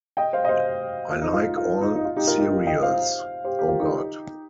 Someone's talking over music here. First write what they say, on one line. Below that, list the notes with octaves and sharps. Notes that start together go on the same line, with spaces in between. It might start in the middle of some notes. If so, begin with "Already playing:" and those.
I like all cereals... Oh, God.
D#5 G5
C5 F5
D#5
C5 F5
F4
D#4
F4
F4
D#4
D#4
F4
D#4 G4
F4 A#4
D#4 G4
F4
D#5 G5
C5 F5
G4 C5
G4
F4 A#4
D#4 G4